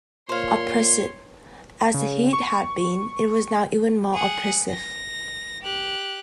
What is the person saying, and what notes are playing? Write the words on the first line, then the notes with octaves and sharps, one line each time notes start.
Oppressive as the heat had been, it was now even more oppressive.
A#2 C5 C#5 F5 C6
C#3
C#6
G#4 F#5
A#6
G4 F#6